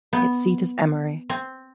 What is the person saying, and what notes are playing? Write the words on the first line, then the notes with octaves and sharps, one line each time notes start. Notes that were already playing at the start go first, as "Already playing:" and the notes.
Its seat is Emory.
B3
C4